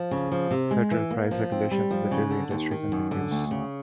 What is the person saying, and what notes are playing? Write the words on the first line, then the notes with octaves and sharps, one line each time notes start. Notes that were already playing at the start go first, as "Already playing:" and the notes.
Federal price regulation in the dairy industry continues.
Already playing: F3
C#3
F3
C3
G#3
E3
A#3
F3
C4
G3
F3
C#3
D3
D#2
D#3
F#2
D3
D2
C#3